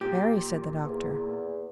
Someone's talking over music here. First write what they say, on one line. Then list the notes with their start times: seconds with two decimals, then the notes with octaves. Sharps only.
"Very," said the doctor.
0.01 A#2 G4
0.84 E2